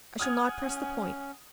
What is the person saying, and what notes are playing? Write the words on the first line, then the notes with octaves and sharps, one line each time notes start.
I shall not press the point.
F#5 G#5 D#6 F6 G#6
C#4